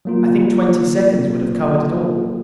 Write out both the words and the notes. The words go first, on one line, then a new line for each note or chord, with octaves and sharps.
I think twenty seconds would have covered it all.
F#3 A#3 F4